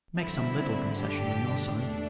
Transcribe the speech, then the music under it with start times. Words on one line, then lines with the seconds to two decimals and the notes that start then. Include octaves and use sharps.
Make some little concession on your side.
0.17 G2 D3 C4 E4
0.97 D4 G4
1.77 E2 A3 D4